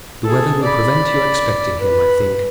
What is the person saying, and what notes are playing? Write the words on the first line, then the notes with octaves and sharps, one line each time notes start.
The weather will prevent your expecting him, I think.
G#4 A4
D5 B5
B4